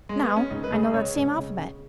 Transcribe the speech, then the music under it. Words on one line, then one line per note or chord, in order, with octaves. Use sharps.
Now, I know that same alphabet.
G#3
B3
C#4
C#2 D#4
B4
C#2 G#4
C#3 C#5
C#2
C#3
C#3